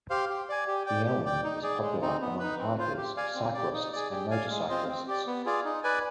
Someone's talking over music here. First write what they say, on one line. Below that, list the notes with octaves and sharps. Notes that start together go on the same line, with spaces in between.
The Elm is a popular among hikers, cyclists, and motor cyclists.
G4 C5 F5
G4
D5 G#5
G4
D5 G5
G4
D5 G5
D#4
G#4 D5
G#3
C4 D#4
B3
D#4 B4
C4
F4 C5
G4
D5 F5 G#5
C4
G4 D5
D#4
G#4 D5
G4
D5 F5 G#5
G#3
C4 F4 C5 D#5
C4
G4 D5
B3
F4 G#4 D5
D#4
B4 D5 G#5